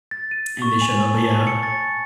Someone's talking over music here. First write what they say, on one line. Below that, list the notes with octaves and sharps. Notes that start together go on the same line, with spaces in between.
And they should've, but yeah.
A6
D#7
C#6
G#5
A5
C#7
A6